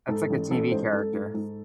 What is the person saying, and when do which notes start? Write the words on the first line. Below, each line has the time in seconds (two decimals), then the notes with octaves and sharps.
That's like the TV character.
0.08 G#2 A4
0.30 A1
0.51 A1 A4
0.71 G#2 C5
0.92 G#2 A4
1.13 G#2
1.34 G#2